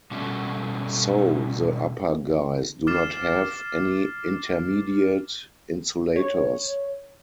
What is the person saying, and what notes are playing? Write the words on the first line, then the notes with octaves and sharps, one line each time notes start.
So the upper guys do not have any intermediate insulators.
B2 G3 A3 C#4
D6 F6 A6 C7 E7
C#5